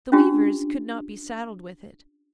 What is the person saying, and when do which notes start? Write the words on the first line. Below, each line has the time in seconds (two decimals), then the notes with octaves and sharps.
The weavers could not be saddled with it.
0.12 C#4 D4 F4 G4